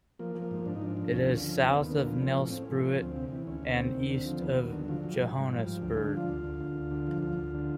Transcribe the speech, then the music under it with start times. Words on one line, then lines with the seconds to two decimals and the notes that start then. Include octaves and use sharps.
It is south of Nelspruit and east of Johannesburg.
0.19 F3 A#3
0.35 F3
0.42 A#3
0.51 G#2
0.65 G#2 D4
0.75 D#4
0.82 F3 D4
0.97 F3
1.13 D#2 C#4
1.28 D3
1.37 C#4
1.44 F3
1.60 D#2 C4
1.75 D#2 B3
1.91 D3 A#3
2.06 F3 B3
2.22 F3 C4
2.38 A2 C#4
2.50 A2 C4
2.64 C#4
2.69 F3
2.85 F3
2.91 C#4
3.00 D2 C4
3.16 C3
3.32 E3
3.47 D2 C#4
3.63 D2
3.71 C4
3.79 C3
3.95 D#2
4.10 D3
4.26 F3
4.41 D#2 B3
4.57 D#2
4.64 F#3
4.73 D3
4.88 F3 F#3
5.04 F3
5.11 G3
5.20 G#2
5.35 G#2 G3
5.51 F3
5.66 F3
5.82 D2 G3
5.94 D3 G#3
6.05 D4
6.13 F3 F4
6.29 D2
6.44 D2
6.60 D3
6.76 D2
6.91 D3
7.07 F3
7.22 D2 F4
7.38 D2
7.54 D3